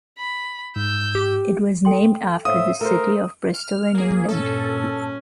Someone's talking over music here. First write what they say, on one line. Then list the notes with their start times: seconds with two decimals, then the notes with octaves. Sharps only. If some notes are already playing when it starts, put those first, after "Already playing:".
It was named after the city of Bristol, in England.
0.18 B5
0.76 G#2 E6 G6
1.15 G4
1.85 A4 G5 C6
2.45 A2 C5 E5 F5 D#6
2.81 A3 A#4 C5 A#5
3.54 F6
3.95 A#3 G#4
4.28 G2 A#2 C#4 A4